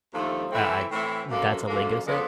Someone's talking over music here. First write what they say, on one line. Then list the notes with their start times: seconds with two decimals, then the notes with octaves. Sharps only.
I I that's a LEGO set?
0.14 D#2 D3 F3 A3
0.51 A2 E3 A3 C4 E4
0.91 A2 E3 A3 C4 E4
1.28 F#2 D3 F3 A#3
1.67 F#2 D3 F3 A#3
2.05 D3 F3 G#3 B3